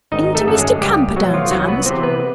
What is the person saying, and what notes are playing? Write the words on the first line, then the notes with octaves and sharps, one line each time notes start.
"Into Mr. Camperdown's hands!"
G#1 D#4 D#5
A3 A4
F#2 D3 F#3 A4
G#3 G#4
C#2 G3 G4
B2 F#3 A3 F#4
F3 F4
C2 F#3 F#4
B3 B4
C3 E3 C4 C5
B3 B4